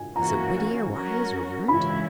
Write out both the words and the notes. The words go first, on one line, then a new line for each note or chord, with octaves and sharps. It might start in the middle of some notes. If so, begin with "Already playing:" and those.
Is it witty, or wise, or learned?
Already playing: G#5
E3 A#3 C#4 F#4 A#4 A#5
F#3 C#4 F#4 A#4
C#3 E3 G#3 C#4 E4 B5